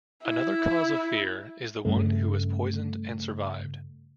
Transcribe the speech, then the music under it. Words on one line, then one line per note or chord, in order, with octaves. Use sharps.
Another cause of fear is the one who was poisoned and survived.
E4
G2 C#3 A3